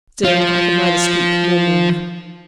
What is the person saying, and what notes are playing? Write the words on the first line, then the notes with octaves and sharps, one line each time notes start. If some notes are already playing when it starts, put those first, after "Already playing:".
Still I could neither speak nor move.
F3 F4